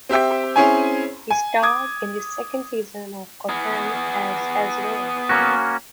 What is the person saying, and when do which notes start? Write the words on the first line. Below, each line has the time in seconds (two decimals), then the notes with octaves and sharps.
He starred in the second season of "Gotham" as Azrael.
0.09 C4 G4 E5 G5
0.56 C4 C#4 E4 G#4 C#5 G#5
1.30 G#5
1.63 D6 D#6 G#6
3.49 B3 G#4
5.29 A#3 C#4 F#4